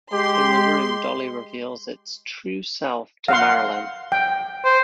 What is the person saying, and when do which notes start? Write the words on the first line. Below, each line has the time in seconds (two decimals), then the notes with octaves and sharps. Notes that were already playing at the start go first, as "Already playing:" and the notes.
In the room Dolly reveals its true self to Marilyn.
0.13 G#3 G4 C6
3.28 F5 F#5 C6
4.12 G5
4.65 C5